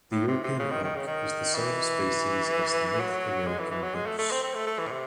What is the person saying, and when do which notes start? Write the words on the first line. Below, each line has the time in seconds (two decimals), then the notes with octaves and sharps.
The European elk is the same species as the North American moose.
0.12 A2
0.28 C3
0.44 C3
0.60 C#3
0.71 D#3
0.84 D#3
0.96 C#3
1.07 D#3
1.55 E3
2.99 F#3
3.47 G#3
3.59 E3
3.71 E3
3.83 F#3
3.95 G#3
4.07 A3
4.19 A3
4.31 C4
4.43 C4
4.54 A3
4.67 A3
4.79 E3
4.87 A2
4.91 C3